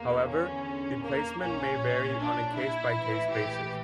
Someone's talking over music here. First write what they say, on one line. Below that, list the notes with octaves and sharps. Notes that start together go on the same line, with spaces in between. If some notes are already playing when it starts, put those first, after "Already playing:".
However, the placement may vary on a case by case basis.
Already playing: E2 D3 A#3
C#4
A#3
A#1 A#2 C#4
D4
E4
A#1 A2 E3
G4